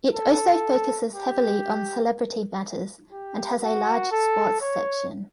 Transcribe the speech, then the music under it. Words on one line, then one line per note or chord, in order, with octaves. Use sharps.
It also focuses heavily on celebrity matters, and has a large sports section.
A4
G4
G4
F#4
A4
C#5